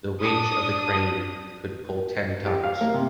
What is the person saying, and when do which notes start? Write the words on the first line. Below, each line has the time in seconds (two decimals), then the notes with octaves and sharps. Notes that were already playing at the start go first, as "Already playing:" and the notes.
The winch of the crane could pull ten tons.
0.20 D4 D#6
2.45 G4
2.64 F5
2.81 A#3
2.94 C3